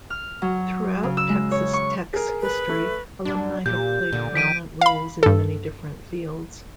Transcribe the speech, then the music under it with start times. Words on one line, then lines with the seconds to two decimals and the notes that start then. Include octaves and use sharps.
Throughout Texas Tech's history, alumni have played prominent roles in many different fields.
0.10 F6
0.42 F#3
1.03 C#3
1.17 E6
1.29 G#3
1.51 C#5
1.73 C#6
2.14 G#4 A#4
2.41 B4
2.69 A3
3.25 F#2 F#3 D4
3.66 A#2 G4 G6
4.13 A#2 D3
4.35 D#3 B6 D7 D#7
4.81 F5 B5
5.23 G2 A4